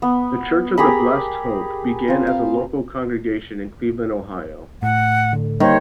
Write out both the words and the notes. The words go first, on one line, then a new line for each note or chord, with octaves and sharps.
The "Church of the Blessed Hope" began as a local congregation in Cleveland, Ohio.
B3
G4 G#4 A#4 B5
C4 F4
F5
A2 F#5
D3
D#3 G3 A#3 C5 C#5